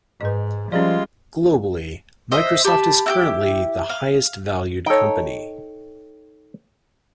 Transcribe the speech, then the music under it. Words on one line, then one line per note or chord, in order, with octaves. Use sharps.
Globally Microsoft is currently the highest valued company.
G#2 B4 D#5
F3 G3 G#3 C#4 F4 G#4 D5
C5 D#5 E5
G4 A5 B5
E4 F#4 G4
F5
D#4 A4 C#5 G5